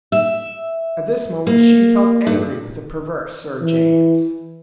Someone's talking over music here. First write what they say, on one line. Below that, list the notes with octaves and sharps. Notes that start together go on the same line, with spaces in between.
At this moment she felt angry with the perverse Sir James.
E5
A#3
G2
E3